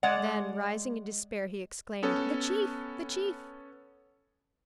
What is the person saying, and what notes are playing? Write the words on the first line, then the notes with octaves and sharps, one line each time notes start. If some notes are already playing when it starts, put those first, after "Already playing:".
Then rising in despair, he exclaimed, "The chief, the chief!"
G#3 D5 F#5
B3 C#4 A4